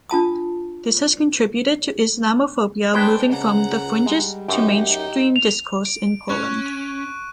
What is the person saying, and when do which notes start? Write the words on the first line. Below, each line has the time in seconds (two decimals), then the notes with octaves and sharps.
This has contributed to Islamophobia moving from the fringes to mainstream discourse in Poland.
0.10 D4 F4 A5 D#6
2.94 G#3 D4 B4 C5 G5
3.31 C#3 F#5 A#5
4.06 G3 G#3
4.48 F#2 D#4 G4 D#5
4.89 D#4
5.36 F7
5.85 D7
6.29 C#4 C#6 F#6
6.62 D#7